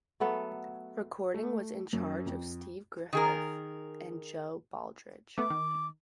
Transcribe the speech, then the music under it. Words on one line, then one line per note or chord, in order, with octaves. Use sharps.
Recording was in charge of Steve Griffith and Joe Baldridge.
F#3 A3 B3 A4
A3
F#2
F2
D#3 G#4 A#4
A3 B3 D6
D#3